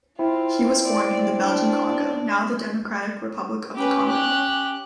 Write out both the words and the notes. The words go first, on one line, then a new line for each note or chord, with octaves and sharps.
He was born in the Belgian Congo, now the Democratic Republic of the Congo.
C4 E4 F4
D5
D4
C#4 G4 B4
G4 F#6